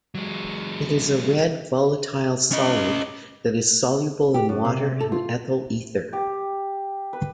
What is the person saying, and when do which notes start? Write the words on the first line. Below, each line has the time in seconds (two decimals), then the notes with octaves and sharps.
It is a red volatile solid that is soluble in water and ethyl ether.
0.15 F#3 G#3
2.52 C#4 D#5
4.34 G4
4.49 F#2
4.65 C3
5.00 A4
5.12 F4
6.13 G4
7.13 B4